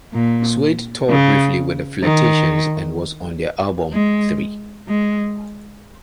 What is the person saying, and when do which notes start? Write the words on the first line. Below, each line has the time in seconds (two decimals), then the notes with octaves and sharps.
Suede toured briefly with The Flirtations and was on their album, Three.
0.14 A#2
1.10 C#3
2.04 D#3
3.93 G#3
4.88 G#3